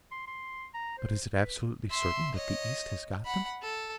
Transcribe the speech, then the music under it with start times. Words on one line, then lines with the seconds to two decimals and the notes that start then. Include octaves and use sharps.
"But is it absolutely certain that the East has got them?"
0.12 C6
0.27 C6
0.74 A#5
0.98 C5
1.34 B4
1.90 E5 C6
2.35 C#5 D#5
3.25 F#5 B5
3.62 A4